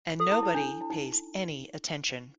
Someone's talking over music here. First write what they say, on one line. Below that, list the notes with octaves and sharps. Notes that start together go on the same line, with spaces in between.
And nobody pays any attention.
A4
E4
E4
D4
E4
D#4